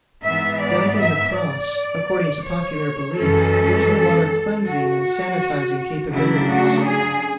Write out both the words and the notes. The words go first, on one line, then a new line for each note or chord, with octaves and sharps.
Diving the Cross, according to popular belief gives the water cleansing and sanitizing capabilities.
G#2 E3 B3 E5
D5
E5
D5
C#5
F#2 E3 G#3 C#4 A4
F#4
C#3 F#3 A3 D4 E4
F#4
G#4